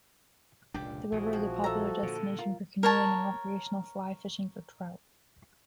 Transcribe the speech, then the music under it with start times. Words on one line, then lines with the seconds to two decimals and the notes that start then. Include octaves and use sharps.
The river is a popular destination for canoeing and recreational fly fishing for trout.
0.74 F1 C#2 A#2 D4 G4
1.12 A#1 E3 F3 F#4 G#4
1.33 C3
1.64 A4 E5 A#5
2.03 A#2 D3
2.38 F4 A#4
2.83 A#4 C#5 A5